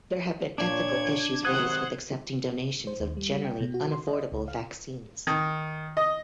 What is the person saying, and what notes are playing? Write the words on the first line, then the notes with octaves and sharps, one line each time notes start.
There have been ethical issues raised with accepting donations of generally unaffordable vaccines.
A#2 D4 C#5 G#6
G#1 C3 F#3 C5 F#5 D#6 F#6 G#6
C5
D#2
G3
G3
G5
B2
F#4
C6
D#5
D5
C#2
F5
D#3
D#5